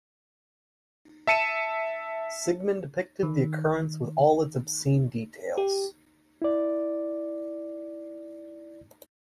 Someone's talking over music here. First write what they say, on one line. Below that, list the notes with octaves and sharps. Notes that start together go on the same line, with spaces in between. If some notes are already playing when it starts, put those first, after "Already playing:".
Sigmund depicted the occurrence with all its obscene details.
E5 A5 C#7 D#7 E7
D#3
G4
E4 D5